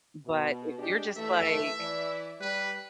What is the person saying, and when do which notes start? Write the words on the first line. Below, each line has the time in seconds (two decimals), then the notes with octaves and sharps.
But if you're just like,
0.25 B2
0.78 G#3 D4 G4
1.17 D#2 E3 A3 E5
1.80 E3 D5
2.41 G3 B4